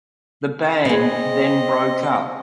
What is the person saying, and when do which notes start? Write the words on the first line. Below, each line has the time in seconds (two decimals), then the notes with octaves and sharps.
The band then broke up.
0.85 C4 G#4 B4 D#5